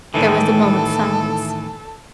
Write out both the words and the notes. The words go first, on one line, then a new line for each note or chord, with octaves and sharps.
There was a moment's silence.
A2 D#3 E3 A4